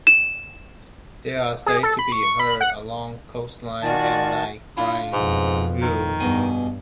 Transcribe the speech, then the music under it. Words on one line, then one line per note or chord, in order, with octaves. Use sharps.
They are said to be heard along coastlines at night crying, Iou!
E7
G#4
A4
B5
C#6
B5
F#5
D#3 F4 F#4 D5 G#5 A5
D4 E4 F4
F2 G#2 B2
D#3
G2 B2 G#4